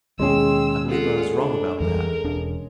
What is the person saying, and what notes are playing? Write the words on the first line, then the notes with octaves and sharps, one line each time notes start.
I believe I was wrong about that.
D#2 B2 G#3 C#4 G#4 G5 C6 E6
F4 A4 F#5
D4
F2 E3 G3 A#4
E1 D4